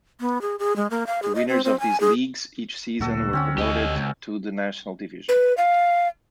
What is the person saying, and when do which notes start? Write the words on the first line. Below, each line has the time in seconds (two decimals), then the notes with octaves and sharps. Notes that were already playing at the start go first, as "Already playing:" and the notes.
The winners of these leagues each season were promoted to the National Division.
0.20 B3
0.42 G#4
0.59 G#4
0.76 G#3
0.90 A#3
1.07 F5
1.22 G#4
1.35 D#5
1.48 C4
1.64 C4
1.80 G#5
2.01 G#4
3.01 D2 A#2 A#3 F#4 A4
3.33 D2 D3 C4 C#4 F#4
3.58 D2 G4 D#5
3.94 C#2
5.29 B4
5.57 F5